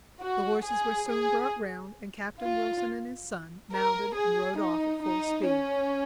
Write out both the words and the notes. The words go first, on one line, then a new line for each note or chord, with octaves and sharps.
The horses were soon brought round, and Captain Wilson and his son mounted and rode off at full speed.
F#4
G#4
G#4
F4
A#4
G#4
D#4
D#4
C#4